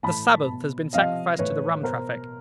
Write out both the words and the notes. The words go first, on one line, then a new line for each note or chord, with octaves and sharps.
The Sabbath has been sacrificed to the rum traffic.
A2 E3 A5 B5
B2
C3 F3 D#5 F5
A2 E3 B4 C#5
B2 A#4 C5